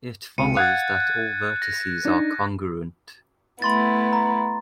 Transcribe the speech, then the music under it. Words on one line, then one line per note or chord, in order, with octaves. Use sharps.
It follows that all vertices are congruent.
C#2 C3 C#7 D#7
F5 F#5 F#6 G#6 A6
A#6
D4 D#4
A3 B3 E4 B5 C6 A6
A#5